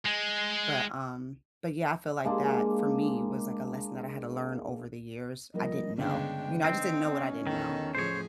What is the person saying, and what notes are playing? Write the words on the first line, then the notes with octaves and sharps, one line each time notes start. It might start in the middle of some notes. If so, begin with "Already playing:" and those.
But, um, but, yeah, I feel like that for me was, like, a lesson that I had to learn over the years I didn't know. You know, I just didn't know what I didn't know,
G#3
G#3 A#3 D4
F3 G3 A#3 D#5
G1 C#3 G#3 D4 F5 G5
C4 D#4
C#4
E2 D#3 D#4 A4
A2 F3 G#4 C5 C#5